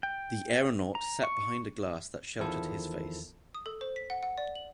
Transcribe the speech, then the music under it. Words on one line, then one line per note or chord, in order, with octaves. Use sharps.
The aeronaut sat behind a glass that sheltered his face.
G5
A#5
C#6
E2 D#3 F3 E4 A4
D#6
A4
C5
B6
F#5
F#5
D5
F#7